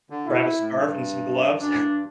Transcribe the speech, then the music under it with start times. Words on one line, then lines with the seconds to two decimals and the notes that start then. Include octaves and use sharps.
Grab a scarf and some gloves.
0.10 D3
0.26 B2 E4
0.60 A2
0.77 G2
1.59 F#2 D4
1.72 A2
1.82 G2